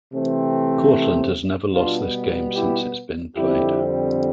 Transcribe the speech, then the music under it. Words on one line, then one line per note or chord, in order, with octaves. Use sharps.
Cortland has never lost this game since its been played.
C3 E3 A3 C4
B2 G3 B3 D4 F4
E4 G4
F2 D3 G3 C4 E4 G4